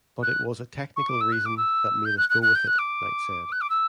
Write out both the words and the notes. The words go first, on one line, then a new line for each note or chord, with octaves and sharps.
But it was a technical reason that made us go with it, Knight said.
F#6
C#6
D6
E6
F#6
D6
E6
G6
F#6
F#6
F#6
G6
F#6
D6
F#6
D6
E6